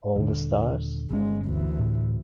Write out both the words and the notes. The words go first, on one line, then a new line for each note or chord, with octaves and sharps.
All the stars?
D#1 D3
G1 G#3 C#4
D2 E3
A2